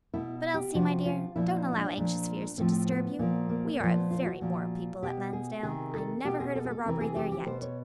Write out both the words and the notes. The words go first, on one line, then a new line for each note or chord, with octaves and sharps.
"But, Elsie, my dear, don't allow anxious fears to disturb you; we are a very moral people at Lansdale; I never heard of a robbery there yet."
B2 E4
G4
C3 F3 F#4
F4
A#2 F3 E4
D#4
D#4
D4
A#2 F3
A2 F3 C4
B3
A#2 F3 A#3
A#3
A#2 F3 A#3
B3
F4
F#4
A#2 F3
B2 G4
G#4
C3 D#3 G#4
A4
B2 G4
G#4
A4
G#4
A4
C3 E3 A#4
G#4
G4
G4
B2 C5
C#5